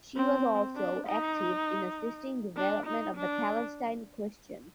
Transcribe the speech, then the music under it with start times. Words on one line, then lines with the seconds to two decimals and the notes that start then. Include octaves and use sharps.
She was also active in assisting development of the Palestine question.
0.17 C4
0.76 D4
1.07 D#4
2.57 D4
2.86 D#4
3.17 D4